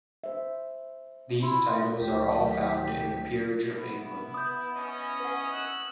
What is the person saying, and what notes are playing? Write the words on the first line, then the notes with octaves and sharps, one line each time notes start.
These titles are all found in the Peerage of England.
C5 E5
E4 B5 C6
D2 D3 D#3 F#3 A3 G4 B6
B3 E4
D#6 G6
C#4 D#5
B4 F#5
E6 F#6